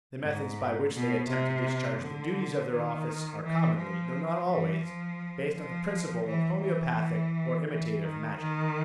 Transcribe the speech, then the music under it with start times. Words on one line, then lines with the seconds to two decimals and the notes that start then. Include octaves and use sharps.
The methods by which they attempt to discharge the duties of their office are commonly, though not always, based on the principle of homoeopathic or imitative magic.
0.22 G#2
0.94 B2
1.29 C3
2.01 D3
2.71 D#3
3.43 E3
3.77 F3
4.49 E3
4.84 F3
5.55 F3
6.26 E3
6.61 E3
7.69 E3
8.04 D#3
8.40 D#3